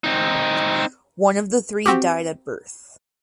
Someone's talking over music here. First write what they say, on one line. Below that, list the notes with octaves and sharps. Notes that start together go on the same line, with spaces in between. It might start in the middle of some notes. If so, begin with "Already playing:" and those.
One of the three died at birth.
C4 D#4
C4 F#4 G4